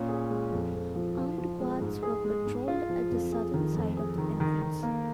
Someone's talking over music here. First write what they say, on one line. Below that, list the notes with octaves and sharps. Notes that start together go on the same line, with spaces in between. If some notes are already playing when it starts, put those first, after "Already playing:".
Armed guards were patrolled at the southern side of the entrance.
Already playing: A#2 C#4
G#4
G#3
F2
F2
F3
F3
F3
G#3
G#2
G#4
G#3
G#2
F4
F3
F2
G#4
D#3
F2
G#4
D#3
D#3
D#3
A#3